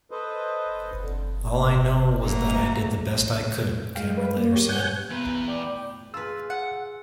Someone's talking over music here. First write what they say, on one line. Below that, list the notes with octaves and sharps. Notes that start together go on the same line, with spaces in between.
"All I know was that I did the best I could," Cameron later said.
A4 B4 C5 D#5
F2 D3
F#3 A3 A#3 A#5
G#3 F5 G5
B4
A#3
G4 C#5
F#5 G#5 G6
E2 B3 B4 A#5
A3 D5 G5 D6
F4 G#4 B4 E6
F#5